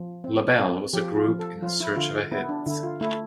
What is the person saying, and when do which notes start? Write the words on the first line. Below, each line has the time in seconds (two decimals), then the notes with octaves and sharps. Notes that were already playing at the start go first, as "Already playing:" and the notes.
Labelle was a group in search of a hit.
Already playing: F3
0.24 C4
0.59 C4
0.93 F3 G4
1.16 F4
1.28 F3
1.39 A4
1.62 F3 F4
1.80 E4
1.96 D3 F4
2.32 B3 E4
2.49 D4
2.66 D3 E4
2.83 F4
3.01 A3 E4